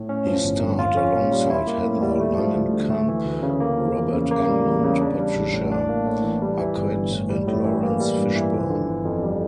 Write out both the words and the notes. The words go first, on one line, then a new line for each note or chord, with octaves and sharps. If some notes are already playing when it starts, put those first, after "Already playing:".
He starred alongside Heather Langenkamp, Robert Englund, Patricia Arquette, and Laurence Fishbourne.
Already playing: A2
C#4
F3
G1
G2
F4
C#4
A#2
G3
E4
A#3
A2
G3
A3
F3
D2
D3
A3
E3
D2
C#3
A#3
F3
E2
C#3
A#3
G3
E2
C#3
D4
G3
A1
A2
D4
A#3
A2
E3
G3
E3
G1
G2
A2
G3
A2
E3
A#3
G3
G2
E3
F3
D3
G1
F2
G3